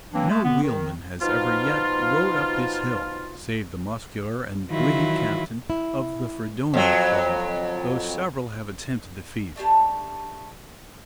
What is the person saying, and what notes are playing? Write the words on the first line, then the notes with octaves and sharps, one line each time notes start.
No wheelman has ever yet rode up this hill, save the muscular and gritty captain of the Fredonia Club, though several have attempted the feat.
E3 F#3 A#3 C4 D4
G#3 A3
D3 B3
D#3
B2 F3 D#4 F4
D#3 E3 F#3 E4 F4
E4
F2 F#3
A3 D4 G4 A5